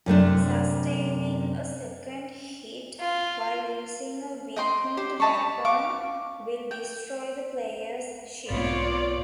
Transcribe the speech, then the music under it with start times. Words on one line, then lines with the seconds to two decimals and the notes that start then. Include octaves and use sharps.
Sustaining a second hit while using a weakened weapon will destroy the player's ship.
0.06 F#2 C3 A3 D4
3.00 F4
4.56 D#5 G5 C6
4.97 G4 C5
5.20 D#5 A5 B5 C#6
5.65 F5 C#6 D6
6.71 G5
8.49 B1 G#2 B3 C4 F4 C#5 D5 A6